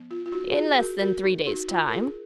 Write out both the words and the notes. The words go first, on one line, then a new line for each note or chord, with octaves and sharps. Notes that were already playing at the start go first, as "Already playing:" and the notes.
"In less than three days' time."
Already playing: F3 B3
F4
F4
D#4 F#4
F#4
F4 G#4
F#4 A#4
F#4 A#4
D#4
D#4 F#4
F4
A#4
F4 G#4